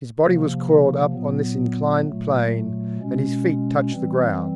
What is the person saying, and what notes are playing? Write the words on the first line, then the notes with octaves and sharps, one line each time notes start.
His body was coiled up on this inclined plane and his feet touched the ground.
C3 F3 A#3
A#2 F#3 B3
A#2 F#3 A3
B2 G#3 C#4
E3 G3 C4